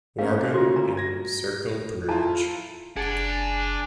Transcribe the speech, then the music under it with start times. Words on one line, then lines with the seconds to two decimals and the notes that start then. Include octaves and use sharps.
Waregem and Cercle Brugge.
0.19 A3 A#3 C#4 F5
0.54 F4 F#4
0.76 A#5
0.97 G#6 A#6
2.09 E4 F4 A5 A#5
2.97 F#1 D4 G#4 F#5 G#5